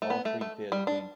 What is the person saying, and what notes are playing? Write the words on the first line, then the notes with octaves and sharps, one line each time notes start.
All three failed the king.
A3
B3
A3
A3
G3
D4